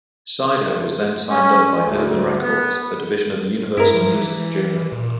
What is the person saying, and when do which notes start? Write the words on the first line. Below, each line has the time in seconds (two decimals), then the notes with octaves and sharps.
Sido was then signed up by Urban Records, a division of Universal Music Germany.
1.30 C#4
1.83 D2
2.41 B3
3.77 G2 E4 A#4
3.94 F3
4.14 E3
4.92 A#2